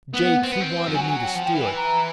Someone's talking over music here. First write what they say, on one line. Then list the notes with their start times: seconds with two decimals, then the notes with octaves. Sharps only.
Jake, he wanted me to steal it.
0.13 B3 F#5
0.43 C4
0.52 B3
0.60 C4
0.88 F3
0.94 F#3 G#5
1.07 G#5
1.21 G5
1.34 F3 F#5
1.45 G5
1.54 E3
1.65 G#5
1.75 A#5